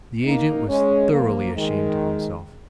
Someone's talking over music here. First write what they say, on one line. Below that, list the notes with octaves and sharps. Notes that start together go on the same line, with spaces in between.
The agent was thoroughly ashamed of himself.
A#3 D#4
G#3 C#4
F3 A#3
D#3 G#3